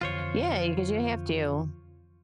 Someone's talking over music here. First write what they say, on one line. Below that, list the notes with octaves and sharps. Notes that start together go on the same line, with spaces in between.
Yeah, 'cause you have to.
F2 D3 E3 F4 C5 C#5